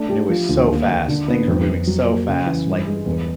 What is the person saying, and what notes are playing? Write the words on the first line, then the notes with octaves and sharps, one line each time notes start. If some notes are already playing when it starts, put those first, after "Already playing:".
And it was so fast; things were moving so fast. Like, whe
Already playing: A3 D4
G4
F3
D2
D#2
D#2
D3
B3
F2
F2
F#3
A#3
C#3
E3
G2
G#3
E2